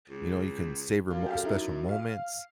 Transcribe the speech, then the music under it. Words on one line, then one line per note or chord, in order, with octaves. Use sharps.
you know, you can savor mo special moments
C#2
F#2 F4
G4 A4 F5
D#4 E4
F5